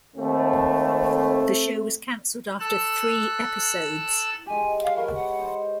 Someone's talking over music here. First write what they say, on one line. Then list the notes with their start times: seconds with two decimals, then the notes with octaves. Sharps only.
The show was cancelled after three episodes.
0.16 D#2 A3 C4
2.60 A4 E6 F#6
4.46 G#3 G4 G#5
4.83 F5
4.96 A#4 B4 C#5 B5
5.14 F#5
5.39 C5 D#5